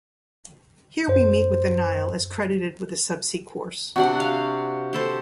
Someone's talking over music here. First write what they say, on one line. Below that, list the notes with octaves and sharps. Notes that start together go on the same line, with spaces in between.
Here we meet with the Nile as credited with a subsea course.
F#2 C5
C3 D4 F#4 F#5
F5
G4 A4 C5